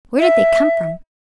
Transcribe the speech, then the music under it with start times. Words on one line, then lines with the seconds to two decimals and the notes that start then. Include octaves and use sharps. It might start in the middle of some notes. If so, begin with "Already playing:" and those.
Where did they come from?
0.18 E5